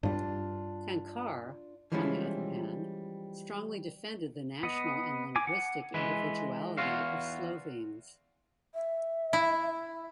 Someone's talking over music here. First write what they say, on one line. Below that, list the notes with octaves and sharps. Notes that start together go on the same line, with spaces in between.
Cankar, on the other hand, strongly defended the national and linguistic individuality of Slovenes.
G2 G3 D4 F4
E3 F3 G3 G#3 C#4 E4
B3 D#5
G#5 D6
F#5
E3 G#3 B4
E2 E3 F4 F#4 F5
E5
E4